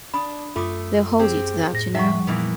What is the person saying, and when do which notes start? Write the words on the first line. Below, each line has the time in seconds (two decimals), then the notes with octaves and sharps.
They'll hold you to that, you know.
0.14 D4 B5 D#6
0.56 F#2 A3 F4 D6 D#6
1.19 C4 G4 G#4
1.73 F2 A2 A#6
1.95 F3 G3 D#4 E5 F#5 C#6
2.27 A#2 E3 A#3 B3